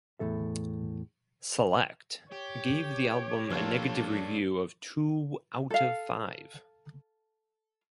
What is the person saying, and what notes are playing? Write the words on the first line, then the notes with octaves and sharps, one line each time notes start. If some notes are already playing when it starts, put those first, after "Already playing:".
"Select" gave the album a negative review of two out of five.
E2 A2 E3 A4 E5
G4 C#5
F3 A#3 D4 G4 A4 F5
A4 F5